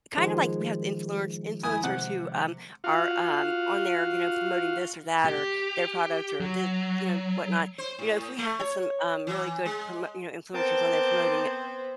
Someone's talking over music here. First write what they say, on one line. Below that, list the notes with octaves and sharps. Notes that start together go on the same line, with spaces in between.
kind of like we have the influence influencers who, um, are, um, on there, you know, promoting this or that, or their product, or the you know, whatnot, you know, if we had some, um, really good promo you know, influencers on there promoting
D#3 F3 G#3
E4 G#5 D#6
C3 F#5
F4 F#4 F5
G4
F#3
C5
A2
A3
C#5
E3
G#3
B3 C4 A#4 C5 A5 D6 G6